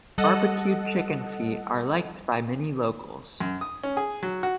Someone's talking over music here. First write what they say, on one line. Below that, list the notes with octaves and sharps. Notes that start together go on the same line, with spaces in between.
Barbecued chicken feet are liked by many locals.
G3 A4 D#5 F#5
F#2
D#6
C#4
G#4
F#3
F#4